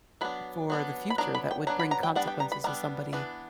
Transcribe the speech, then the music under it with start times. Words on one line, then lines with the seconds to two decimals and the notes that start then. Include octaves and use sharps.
for the future that would bring consequences to somebody?
0.21 F#3 B3 D4 B5
0.70 F#3 B3 D4
1.10 B5
1.18 F#3 B3 D4 A#5
1.35 B5
1.51 G5
1.67 F#3 B3 D4 A#5
1.80 B5
1.91 A#5
2.03 G5
2.15 G3 B3 D4 F#5
2.28 G5
2.40 A#5
2.52 B5
2.64 G3 B3 D4 A#5
3.13 E3 B3 D4